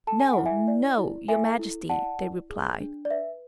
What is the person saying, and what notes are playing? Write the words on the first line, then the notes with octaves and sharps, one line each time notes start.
"No, no, your Majesty," they replied.
A4 A5
G#5
E4 F#5
E5 G#5
D5
E4
A4 E5 G#5
E4
D5 F#5 A5
E4
G#4
D4
D5
B4 E5